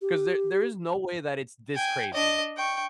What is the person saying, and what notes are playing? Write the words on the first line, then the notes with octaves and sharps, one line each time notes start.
'cause there there is no way that it's this crazy."
G4
G5 G#5
D4 D#5
G5 C#6